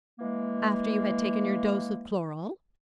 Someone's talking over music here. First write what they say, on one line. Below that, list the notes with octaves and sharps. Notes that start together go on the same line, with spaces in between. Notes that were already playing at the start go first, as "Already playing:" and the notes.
"After you had taken your dose of chloral?"
E3 G#3 A#3